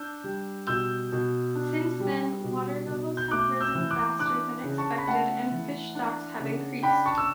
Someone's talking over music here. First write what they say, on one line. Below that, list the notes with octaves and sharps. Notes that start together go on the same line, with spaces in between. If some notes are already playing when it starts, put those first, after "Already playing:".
Since then, water levels have risen faster than expected and fish stocks have increased.
Already playing: D4 E6 G6
G3
B2 E6 G6
B2
D4
G3
B2
B2
G6
A3 D6 F#6
E6 G6
E3
D6 F#6
D4 D6 F#6
C#3
A5 C#6
B5
A3 F#5 A5
E3
D4
C#3
D4 G5 B5
A5 C#6
E6